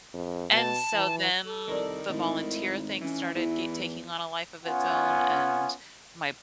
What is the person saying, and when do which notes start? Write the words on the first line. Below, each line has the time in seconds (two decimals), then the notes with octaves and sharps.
and so then the volunteer thing started get taking on a life of its own, and my
0.13 F2
0.52 B2 A5
0.93 E3
1.45 A4
1.68 C2 D#3 E4 A#4 D5
2.09 G#1 A3 D#4 E4
3.01 E3 C#4
3.35 E2 E4
4.65 B3 C#4 F4 F#5 G#5